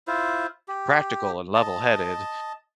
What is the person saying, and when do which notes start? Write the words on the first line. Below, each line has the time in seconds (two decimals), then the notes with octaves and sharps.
practical and levelheaded
0.07 E4 F4 C5
0.68 G4
1.55 D#5 A5